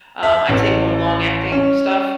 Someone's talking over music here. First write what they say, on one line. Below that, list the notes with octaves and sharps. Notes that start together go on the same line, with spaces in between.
um, I take more long-acting stuff,
E5
A1
C#4